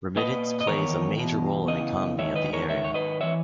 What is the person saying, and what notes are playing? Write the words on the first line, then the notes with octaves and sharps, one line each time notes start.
Remittance plays a major role in economy of the area.
A#2 B4 D#5
D#5
E2 D#3 A#4 C#5
E2 B2
E2 C#3 E3 D#5
G#2 D#3 C#5 E5
B4 D#5
A#4 C#5
G#2 D#3 C#5 E5
C#5
B4 D#5
E3 C#5 E5